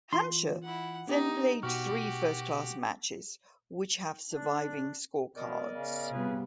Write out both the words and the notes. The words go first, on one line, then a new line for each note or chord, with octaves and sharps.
Hampshire then played three first-class matches which have surviving scorecards.
E3 F4 C6
E4 F#5
B3 D4 D#4 G4
B2 F#4 G4 C#6 F6
D4
B2 B3 A#4 D5 D#5
C#3
C3 G3 B3 F4 G#4 B4